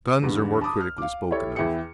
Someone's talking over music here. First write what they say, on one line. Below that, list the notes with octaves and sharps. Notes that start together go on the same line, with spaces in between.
Guns are more critically spoken of.
E2 G2 D3
A5 B5 D6 D#6
F6
F5 D6
E4 G4 A4 C#5
E2 E4 G#4 G5 C#7